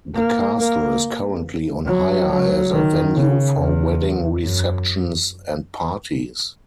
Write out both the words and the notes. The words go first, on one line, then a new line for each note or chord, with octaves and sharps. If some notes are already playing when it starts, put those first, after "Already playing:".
The castle is currently on hire as a venue for wedding receptions and parties.
A#3
A#3
F#3
F#3
D#3
C#3
E2
F#2